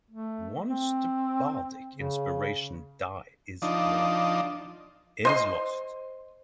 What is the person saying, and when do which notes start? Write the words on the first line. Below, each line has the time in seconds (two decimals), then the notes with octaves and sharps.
Once the Bardic Inspiration die is rolled, it is lost.
0.11 A3
0.70 C4
1.96 C#3
3.62 F3 D4 D#4
5.25 C5 D#5 C6